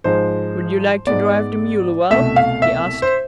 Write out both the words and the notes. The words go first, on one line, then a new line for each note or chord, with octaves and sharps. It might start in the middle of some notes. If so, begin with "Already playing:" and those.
"Would you like to drive the mule awhile?" he asked.
G#2 F3 G#3 C5
G#2 G#3 B3 D5
C2 B2 A3 E5
F5
E5
C5